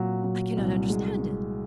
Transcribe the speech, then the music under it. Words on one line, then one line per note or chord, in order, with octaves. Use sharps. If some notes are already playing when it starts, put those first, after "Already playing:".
I cannot understand it.
Already playing: A#2 F#3
F#3
C2
G#3